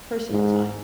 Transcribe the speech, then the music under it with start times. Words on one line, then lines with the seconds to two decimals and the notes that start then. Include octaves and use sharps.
personal time.
0.31 G#2